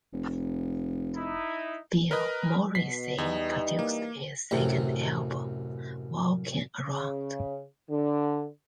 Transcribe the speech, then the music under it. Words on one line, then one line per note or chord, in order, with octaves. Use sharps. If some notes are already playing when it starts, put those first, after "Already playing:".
Bill Morrissey produced his second album, "Walkin' Around".
F1
D#4 E4
A#4 B4 D#5
B2 B6 C7
E2 E3 G3 D#4
A#3
A1 F#2 C3
C#3
D3